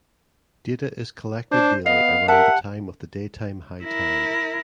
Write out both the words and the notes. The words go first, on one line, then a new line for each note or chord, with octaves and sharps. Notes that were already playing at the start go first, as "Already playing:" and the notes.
Data is collected daily around the time of the daytime high tide.
D4 C5
B3 D#5 F5
G4 A#4 E5 F#5 A5
E4 A#4